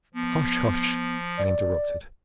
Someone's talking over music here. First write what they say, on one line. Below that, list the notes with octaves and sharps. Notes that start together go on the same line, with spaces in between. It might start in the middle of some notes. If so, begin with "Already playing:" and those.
'Hush, hush!' I interrupted.
F3 B3
D5